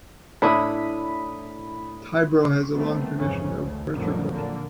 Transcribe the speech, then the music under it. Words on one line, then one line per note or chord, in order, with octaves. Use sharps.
Tibro has a long tradition of furniture production.
A2 D4 E4 B5 D#6
D#3 G3 A3 B3 C4
F2 G#2 C#3 E3 C#4
D2 C#3
F2 A2 D3 D#3 F#3 G3
A#2 D3 A#3